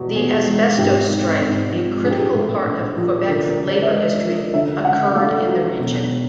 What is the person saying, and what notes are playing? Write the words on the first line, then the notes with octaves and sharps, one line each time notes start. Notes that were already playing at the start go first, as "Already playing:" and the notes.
The Asbestos Strike, a critical part of Quebec's labour history, occurred in the region.
Already playing: E2 B2 F#4
E2 G#4
G#3
G#1 G4
G#2
G#1
F3
A#1 G#4
G4
G#4
A2
A#1
F3
D2 A#4
A#4
C#3
D5
E5
G#3 D#5
F3
D2 E5
C#3 F#5
A3 F5
F#3
E1